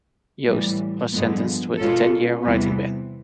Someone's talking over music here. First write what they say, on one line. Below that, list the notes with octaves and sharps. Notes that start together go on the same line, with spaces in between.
Johst was sentenced with a ten-year writing ban.
A2 E3 G3
G2 D3 F3 G#3 B3
B2 G#3 C#4 F4 A4
E2 C3 E3 G3 B3